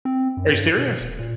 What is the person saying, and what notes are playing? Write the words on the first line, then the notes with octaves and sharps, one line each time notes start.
Are you serious?
C4
F#2
G2
B2
D#1
A#2